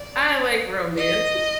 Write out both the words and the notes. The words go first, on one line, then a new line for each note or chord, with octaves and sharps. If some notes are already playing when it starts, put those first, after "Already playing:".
I like romance.
Already playing: D5
D#5